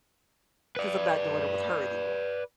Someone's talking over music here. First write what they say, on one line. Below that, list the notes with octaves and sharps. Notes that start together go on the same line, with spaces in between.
'cause I'm not doing it with her anymore,
B4 D5